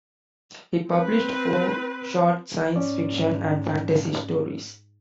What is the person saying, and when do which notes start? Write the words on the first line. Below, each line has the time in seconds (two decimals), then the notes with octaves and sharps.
He published four short science fiction and fantasy stories.
0.91 C4 B4
2.76 G#2 C#4 D5